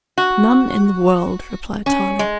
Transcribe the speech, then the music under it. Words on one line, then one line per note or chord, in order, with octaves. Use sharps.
"None in the world," replied Tarling.
F#4
C#4
G#3